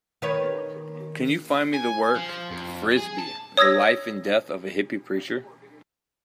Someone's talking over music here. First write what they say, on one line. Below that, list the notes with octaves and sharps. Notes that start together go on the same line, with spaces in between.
Can you find me the work, Frisbee: The Life and Death of a Hippie Preacher?
D#3 B4 C#5
G#5
F3
F2
G#4
A5
C#5 D#6 E6 G#6 A#6